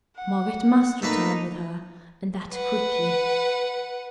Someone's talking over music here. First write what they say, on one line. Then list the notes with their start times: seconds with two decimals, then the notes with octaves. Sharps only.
Margaret must return with her, and that quickly.
0.16 F#5
1.02 A3 A#3 D#4 B4
2.52 B4 F#5